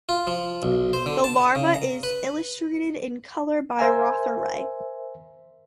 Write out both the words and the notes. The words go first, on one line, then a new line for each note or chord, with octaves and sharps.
The larva is illustrated in colour by Rotheray.
F4
F3
B1
C5
D3
A5
C#3
A#5
B4
A#4 C5 E5 G#5